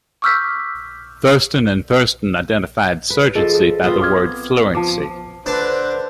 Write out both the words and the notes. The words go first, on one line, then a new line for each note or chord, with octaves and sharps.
Thurstone and Thurstone identified surgency by the word "fluency".
C#6 D6 E6 F6 G6 B6
B4
F3 G#4 A4 D#5
B3 C4 F4
D6 F6 G#6
F3 A5 D6
D3 D4 B4 C5 A5